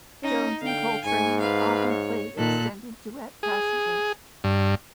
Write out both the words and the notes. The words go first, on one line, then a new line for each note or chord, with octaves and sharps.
Jones and Coltrane often played extended duet passages.
C#4 D#4
D3 F5 G5
G#2 G#5 C#6
B4 F5
C#5
A#2 D#3 A4 F#6
G#4
G2